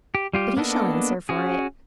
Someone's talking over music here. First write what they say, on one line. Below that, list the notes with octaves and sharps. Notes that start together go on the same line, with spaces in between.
'But he shall answer for it.
G4
G3 F4 G4
A#3 B3 D4 A4 D#5
C#4 F#4 G#4